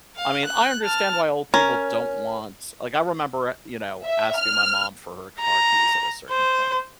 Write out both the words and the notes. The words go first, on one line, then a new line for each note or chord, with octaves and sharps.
I mean, I understand why old people don't want like, I remember a you know, asking my mom for her car keys at a certain point,
F5
F#6
A5 F6
C#4 A#4
E5
F6
A#5
C5